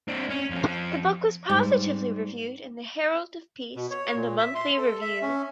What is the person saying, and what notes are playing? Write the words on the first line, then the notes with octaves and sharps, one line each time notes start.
The book was positively reviewed in "The Herald of Peace" and "The Monthly Review".
C4 D4
C#4
F2 F3
G#2 G3
B2
C#5
A#2
E5
C6
A4
E5
C#4